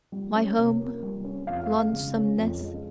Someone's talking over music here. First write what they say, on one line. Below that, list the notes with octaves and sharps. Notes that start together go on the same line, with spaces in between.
My home, lonesomeness!
G3
C#4
C3
A#3
G3
C#4
F2 F5
G#3
C#3
C#4
F2
G#3